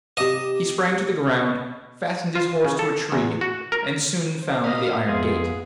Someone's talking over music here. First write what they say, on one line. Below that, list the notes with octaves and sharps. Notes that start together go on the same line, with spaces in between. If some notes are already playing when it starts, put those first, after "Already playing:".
He sprang to the ground, fastened his horse to a tree, and soon found the iron gate.
C3 D#5 D6 E7
F4
C#3
A4
E2
F#4
A#4
C5
A#4 D#5 F5 B5 D#6 F6
F2 B3 G#4 E5 F5 C6